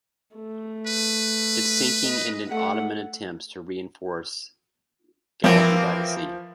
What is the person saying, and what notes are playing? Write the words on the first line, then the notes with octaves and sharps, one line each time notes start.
Its sinking ended Ottoman attempts to reinforce Gallipoli by sea.
A3
B4
D#5
A3 F#5
E3 F3 A#3 C4